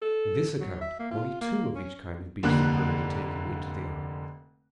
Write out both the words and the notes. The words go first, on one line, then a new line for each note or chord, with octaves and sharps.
In this account only two of each kind of beast and bird are taken into the ark.
A4
F#3
E5
A#3
F4
A#3
C#4
F1 D3 A#3 F#6